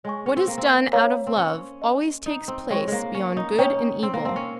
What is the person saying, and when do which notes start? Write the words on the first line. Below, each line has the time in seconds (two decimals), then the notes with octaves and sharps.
What is done out of love always takes place beyond good and evil.
0.04 G#3 C#5 G#5 C#6
0.26 C#4
0.36 C4
0.47 A#3
0.58 C4
0.93 A#4 C#5 F5 A#5
1.27 C4
1.37 C#4
1.82 D#5 G#5 C6
2.26 D#4
2.48 C4
2.70 G#3 C#5 G5 C#6
2.88 G#3 A#3
3.15 C#4
3.37 D#4
3.59 C#4 C#5 G5 A#5 D#6
4.03 C4
4.14 A#3
4.25 C4
4.36 C#4